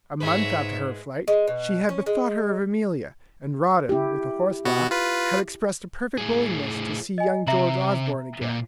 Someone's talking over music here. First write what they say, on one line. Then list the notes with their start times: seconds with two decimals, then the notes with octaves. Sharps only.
A month after her flight, she had bethought her of Amelia, and Rawdon, with a horse-laugh, had expressed a perfect willingness to see young George Osborne again.
0.20 G#2 G#3 B4 C#5 E5
1.28 G#3
1.48 B2
1.89 C#4
2.06 G#3
3.89 E4 G4
4.65 B2 B3 F#4
4.91 F4 B4
6.18 A2 G#4
7.18 D#5 G#5
7.47 C3 E5 A#5 F#7
8.41 A#2